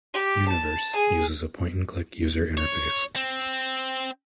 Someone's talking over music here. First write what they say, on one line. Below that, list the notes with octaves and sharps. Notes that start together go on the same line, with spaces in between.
"Universe" uses a point and click user interface.
G4
A5
G#4
C#5
C4